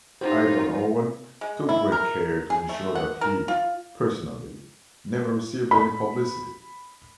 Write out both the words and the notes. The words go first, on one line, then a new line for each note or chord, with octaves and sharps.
Ivan Owen took great care to ensure that he, personally, never received any publicity.
D#4 F4 G4 C5 F#5
G#3
E4
A#4
G#4
A3
F#5
A#4
F4
B5